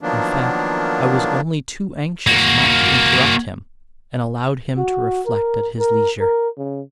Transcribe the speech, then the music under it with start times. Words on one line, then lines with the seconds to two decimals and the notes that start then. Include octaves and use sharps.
In fact, I was only too anxious not to interrupt him, and allowed him to reflect at his leisure.
0.01 D#3 F3 F#3 A#3 B3 D4
2.27 A#3 F#4
4.78 F#4
5.26 A#4
5.79 A#4
6.21 A#4
6.58 C#3